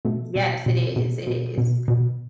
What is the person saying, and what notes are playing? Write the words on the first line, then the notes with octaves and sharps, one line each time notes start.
Yes, it is, it is.
B2 A3
B2
B2
B2
B2
B2
B2